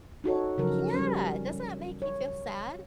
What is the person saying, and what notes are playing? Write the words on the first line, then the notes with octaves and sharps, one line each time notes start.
I Yeah, doesn't that make you feel sad?
D#4 F#4 A4 C#5
C#3 F3 F#3 A#4
G3 C#4
C#5